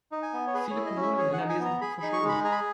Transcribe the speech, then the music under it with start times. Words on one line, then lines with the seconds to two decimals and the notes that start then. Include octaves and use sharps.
Viele Kommunen in NRW sind hochverschuldet.
0.12 D#4
0.23 G#5
0.34 B3
0.47 C#5
0.54 G#4 B4
0.71 C#5
0.76 E4
0.86 D#5
0.97 C#4
1.02 E5
1.18 G#4 C#5
1.33 F#5
1.39 D#4
1.49 G#5
1.60 B3
1.65 A#5
1.81 G#4 B5
1.97 B5
2.03 D#4
2.13 C#6
2.23 G#3
2.29 B5
2.44 G#4 A#5
2.52 B5